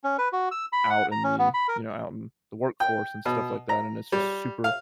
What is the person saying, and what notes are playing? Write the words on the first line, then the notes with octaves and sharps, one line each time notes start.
out in the, you know, out in the workforce and stuff like that, and it's just super
C#4
B4
F#4
E6
B5
F#5
A#5
C#4
B3
B5
A#4
G5
B2
A#5
G3
F5